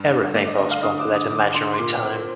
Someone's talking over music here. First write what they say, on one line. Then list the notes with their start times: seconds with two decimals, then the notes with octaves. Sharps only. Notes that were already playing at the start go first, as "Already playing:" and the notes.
Everything postponed to that imaginary time!
Already playing: G2
0.10 D3
0.34 A3 D5
0.47 D#5
0.58 D3 D#5
0.71 F5
0.83 D3 D#6
0.99 D6
1.07 D3
1.14 D#6
1.30 D3 D6
1.54 D3 C6
1.73 C6
1.79 A#2 D6
2.02 C4